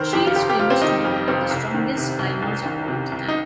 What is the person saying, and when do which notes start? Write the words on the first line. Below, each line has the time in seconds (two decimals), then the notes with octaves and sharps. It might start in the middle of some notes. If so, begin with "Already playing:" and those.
She is famous to be one of the strongest climbers of all time.
Already playing: F1 D#3 A#4 C5
0.13 F2 G4
0.26 F4
0.36 F1 G4
0.50 G4
0.59 F1 F4
0.70 C4
0.81 D#3 D#4
1.05 F2
1.28 F1 C4
1.51 C2
1.74 D#3
1.97 C3
2.19 C2
2.42 C2
2.65 D#3
2.88 C3
3.12 C2
3.28 D#4